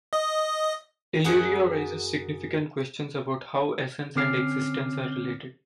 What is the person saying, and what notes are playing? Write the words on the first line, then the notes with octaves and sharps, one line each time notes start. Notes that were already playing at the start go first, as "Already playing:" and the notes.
Illyria raises significant questions about how essence and existence are related.
D#5
F#2 F#4 G#4 F#5
D3 C4 C#4 D6 F6 C7